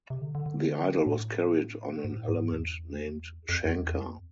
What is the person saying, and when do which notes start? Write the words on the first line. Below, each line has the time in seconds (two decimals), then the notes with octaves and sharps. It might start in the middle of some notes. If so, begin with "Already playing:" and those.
The idol was carried on an element named Shankar.
0.10 C3
0.22 D3
0.35 D3
0.46 D3
1.06 A2
2.04 G#2
2.16 A2
2.28 G#2
2.52 E2
3.49 F2
3.65 F2
3.81 E2
3.98 F2